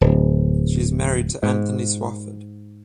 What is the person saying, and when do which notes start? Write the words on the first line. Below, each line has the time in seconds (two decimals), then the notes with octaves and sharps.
She is married to Anthony Swofford.
0.01 D1
1.43 G#2